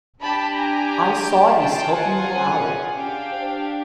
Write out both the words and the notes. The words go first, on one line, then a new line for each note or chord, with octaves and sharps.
I saw a skulking little owl.
D4 G4 A5 B5
G#5 A#5
G5 A5
C#4 F4 G#4 G5 A5
F#5 G#5
D4 G4 F5 G5